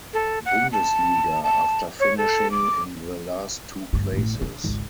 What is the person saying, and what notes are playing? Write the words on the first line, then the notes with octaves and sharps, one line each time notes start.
Bundesliga after finishing in the last two places.
A4
F#5
A5
A5
C#5
A4
D6
D2 G2
A1 A2
D4
G#1 C#2